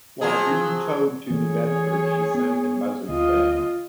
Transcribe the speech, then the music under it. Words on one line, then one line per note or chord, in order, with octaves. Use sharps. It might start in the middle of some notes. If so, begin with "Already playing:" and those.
While being towed to New Bedford, she sank in Buzzards Bay.
F3 F#3 G#4
E3 A3 G#4 C#5
B3
D2 F4 D#5